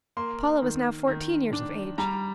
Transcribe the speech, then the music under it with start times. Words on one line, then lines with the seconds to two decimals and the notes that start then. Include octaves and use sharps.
Paula was now fourteen years of age.
0.17 A#3 C6
0.62 D#3
1.07 D#3
1.53 D4
1.98 G3 A#5